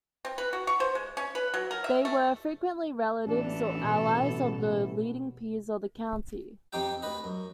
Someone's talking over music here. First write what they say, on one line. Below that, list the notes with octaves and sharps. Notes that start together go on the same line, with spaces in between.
They were frequently relatives or allies of the leading peers of the county.
C4
B4
F#4
C#6
C5
G#3
C#4
B4
F#3
A#4
E5
A3
A1 F#2 E3 D4 A4
B2
F2 C4 D#4 G4 G5
D2 B4 D#5
F#2